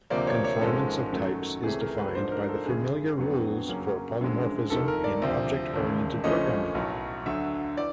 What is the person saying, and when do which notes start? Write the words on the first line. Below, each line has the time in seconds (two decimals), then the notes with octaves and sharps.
Conformance of types is defined by the familiar rules for polymorphism in object-oriented programming.
0.10 D2 C3 F3 A#3 D5
0.27 C#5
0.44 C#5
0.61 G#1 G#2 F3 G#3 C#4 A4
1.12 F#2 D#3 F#3 A3
1.63 C#2 C3 E3 A3 C#4 G#4
1.81 A#4
1.98 B4
2.15 G#2 F3 A3 D4 C5
2.32 A#4
2.49 A4
2.66 G#1 F#2 C#3 G#4
3.17 F2 D3 F#3 B3
3.68 F#2 C#3 F#3 A#3 C#4
4.20 F#1 F#2 D3 F3 G#3
4.70 F1 D#2 D#3 A4
4.88 A#4
5.04 D5
5.22 D2 C3 F3
5.73 E1 D#2 C#3
6.24 A#1 A#2 F3 A3 C#4 D#5
6.75 B1 A2 F#3
7.26 D2 D3 F#3 E5
7.77 E3 D5